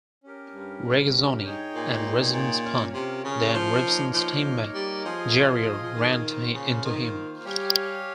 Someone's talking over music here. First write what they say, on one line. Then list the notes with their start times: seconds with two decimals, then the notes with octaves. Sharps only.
Regazzoni and Resvon spun, then Revson's team-mate, Jarier ran into him.
0.23 C#4 G4 A#4
0.54 G2
1.44 D#4 G#4 C#5 G5
1.74 A#2
2.33 A#2
2.64 C#4 F4 A#4 C#5
2.94 C3
3.24 C#3
3.54 F3
3.84 A#3 D#4 A#4 C#5
4.14 F3
4.74 G3
5.04 F3 F4 G#4 D#5 G#5
5.35 F3
5.83 F3
5.94 D#3
6.24 A#3 F4 C5 F5
6.54 C#3
6.85 D#3
7.45 G3 G4 C#5 F5 G#5